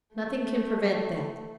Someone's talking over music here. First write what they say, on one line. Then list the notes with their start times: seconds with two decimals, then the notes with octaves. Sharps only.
Nothing can prevent that.
0.15 A3